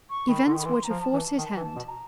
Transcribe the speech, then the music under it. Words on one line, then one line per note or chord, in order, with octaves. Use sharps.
Events were to force his hand.
C#6
D#3 B5
D3 C6
D#3 B5
E3 C6
A#5
F3
A5
E3
A5
D#3 A5
E3
A5
B2
A#5